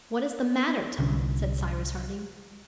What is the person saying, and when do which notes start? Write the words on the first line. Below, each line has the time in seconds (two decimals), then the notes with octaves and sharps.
"What is the matter, Top?" said Cyrus Harding.
0.99 C2 D3 C#4